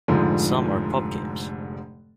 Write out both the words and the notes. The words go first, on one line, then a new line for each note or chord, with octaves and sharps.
Some are pub games.
F1 G#2 D3 F3